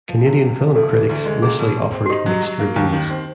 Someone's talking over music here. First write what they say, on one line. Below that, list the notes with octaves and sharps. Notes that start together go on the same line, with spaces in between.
Canadian film critics initially offered mixed reviews.
F3
C3
C3
F3
D2 A4
E3
D2
G#3
C#2 G#4
B2
C4
C4
F#4
D#4 G4
F#3
F#3
A#3
D#2
D#3
C4